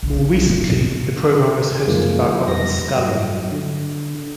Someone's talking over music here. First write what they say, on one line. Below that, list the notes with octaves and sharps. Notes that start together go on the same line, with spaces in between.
More recently, the program was hosted by Robert Scully.
A#1 F3
A#3
F#2 D#3 F3 G#3 A#3
E4 G4
F2 G3 B3 A#6
G2 F#3
D3